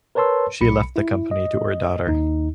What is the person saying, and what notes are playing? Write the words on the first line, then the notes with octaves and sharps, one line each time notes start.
She left the company to her daughter.
A#4 B4 C#5 A5 C6 E6
B1 B5 C#7
E4
D#5
D#2 D#4